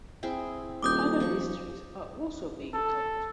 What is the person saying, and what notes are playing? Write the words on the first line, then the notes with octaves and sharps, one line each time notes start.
Other histories are also being told.
C4 E4 G#4
D#1 D6 D#6 G6
F3 C#6
A4